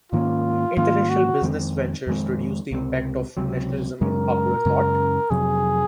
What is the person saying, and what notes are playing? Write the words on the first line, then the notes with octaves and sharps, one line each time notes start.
International business ventures reduced the impact of nationalism in popular thought.
G#2 D#3 A#3 C#4 F4
G#2 D#3 A#3 C#4 F4
F#4
F2 D#3 G#3 C4
F2 D#3 G#3 C4
C#2 C3 F#3 C4
C#2 C3 F#3 C4
F#2 C#3 G#3 C#4 A#4
F#2 C#3 G#3 C#4
F2 C3 F#3 G#4